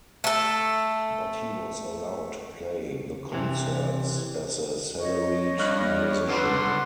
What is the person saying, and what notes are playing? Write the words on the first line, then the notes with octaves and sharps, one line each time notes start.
But he was allowed to play the concerts as a salaried musician.
A3 A4
C3 E3
C#5 D#5
G2 C#6 F6 F#6
D3 G3 B4 F#5 C6